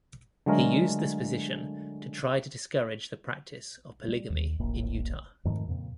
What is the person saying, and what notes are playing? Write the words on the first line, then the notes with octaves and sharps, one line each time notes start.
He used this position to try to discourage the practice of polygamy in Utah.
D3 F#3 G#3 A3 A#4 C#5
G3
D#2
D#1 A#1 A2 A#3
F2 G#2 D#3 A3
F2 A#2 C#3 C4